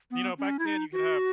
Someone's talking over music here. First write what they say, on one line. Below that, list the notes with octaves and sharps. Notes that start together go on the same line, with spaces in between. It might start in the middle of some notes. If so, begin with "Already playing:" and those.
You know, back then, you could have
B3
C#4
E4
D#4
F#4